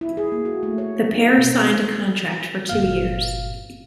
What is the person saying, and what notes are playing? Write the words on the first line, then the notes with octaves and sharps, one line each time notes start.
The pair signed a contract for two years.
E4
G#4
A#3
F#4
A3
C#5
D#4
B2
C4
G1 A#2 F5